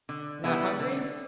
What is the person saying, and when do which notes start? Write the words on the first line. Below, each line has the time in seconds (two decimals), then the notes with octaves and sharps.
"Not hungry?"
0.09 D3
0.44 G3 B3 E4
0.80 D3